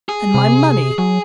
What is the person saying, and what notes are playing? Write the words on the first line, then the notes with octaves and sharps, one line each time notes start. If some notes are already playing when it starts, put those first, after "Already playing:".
And my money!
G#4
C3
F#3 G#4